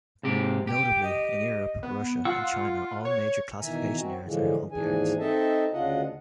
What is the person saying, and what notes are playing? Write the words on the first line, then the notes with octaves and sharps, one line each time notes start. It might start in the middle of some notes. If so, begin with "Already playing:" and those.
Notably, in Europe, Russia and China, all major classification yards are hump yards.
G#2 C3 G4
G4 G5
D#5
B3
F4 F#5 E6
C#5
B2 D#3 E3 E5 G#5 A#5
C4 F#4
A2 D3 E3 F3 G#3
D#2 G#2 E3 D4 G#4 G#5
C4 D#4 A4 D#5 E5 A5
D2 C#3 D4 F4 D#5 F#5